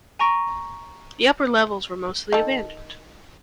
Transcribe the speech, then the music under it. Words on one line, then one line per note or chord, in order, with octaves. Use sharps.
The upper levels were mostly abandoned.
G#5 A#5 C#6 A#6 D7
D#3 A4